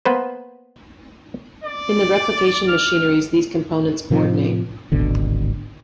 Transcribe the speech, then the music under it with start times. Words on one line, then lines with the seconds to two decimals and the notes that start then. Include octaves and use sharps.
In the replication machineries these components coordinate.
0.05 A#3 B3 B4 C5
1.64 D5
2.69 F6
4.10 A2 C3 F3
4.92 D1 G#1 B2 D3